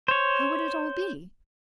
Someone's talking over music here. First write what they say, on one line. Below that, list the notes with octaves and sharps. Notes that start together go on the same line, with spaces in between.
How would it all be?
C5 C#5